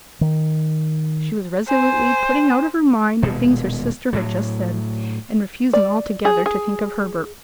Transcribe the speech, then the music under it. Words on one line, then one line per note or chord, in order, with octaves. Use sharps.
She was resolutely putting out of her mind the things her sister had just said, and refusing altogether to think of Herbert.
D#3
C5 G#5
D#1 B2 G#3
A2 F#3
D5
G#4
G#4